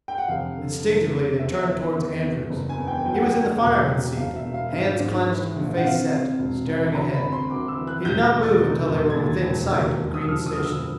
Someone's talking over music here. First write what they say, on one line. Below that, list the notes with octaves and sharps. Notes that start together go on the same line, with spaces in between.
Instinctively they turned toward Andrews. He was in the fireman's seat, hands clenched and face set, staring ahead. He did not move until they were within sight of Green's Station.
G5
F#5
F1 F5
D3
F1
D3
E2 E5
E2
E2
E2
F#1
G#5
E2
G5
F#3 G5
F#5
G5
F#3
E1
B2
E1 F5
E5
B2
F5
G#2 F5
G#2
E3
A#1
F#5
C3 F5
C3
E1
E3
D2 A#5
B5
C3
C6
D2 D6
E6
E3
F#6
E1 G6
A#6
E1
A6
E2
E1
G#6
D#2 A6
E1
D#2
E1
D#6
E6
F3 F6
D#6
D2 F6
E6